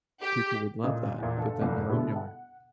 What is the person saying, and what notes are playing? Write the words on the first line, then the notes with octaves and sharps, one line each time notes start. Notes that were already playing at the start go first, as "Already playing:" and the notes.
People would love that, put that in their own yard.
G4
C#2 A#2 C#3 D#5 D#6
E2 A#2
G1 A4
F1 C2 F#2 A#3
B2 D3 G3 G#3 B3 E4
F#5